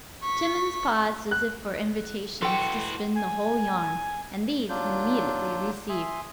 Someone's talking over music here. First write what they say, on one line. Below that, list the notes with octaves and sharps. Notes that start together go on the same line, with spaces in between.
Timmans paused as if for invitations to spin the whole yarn, and these he immediately received.
C#6 B6
F#6
E3 F#4 A4 G5 C6
G#5
D#2 F#3 D4 F4 G6
E5 G#5 C6 D#6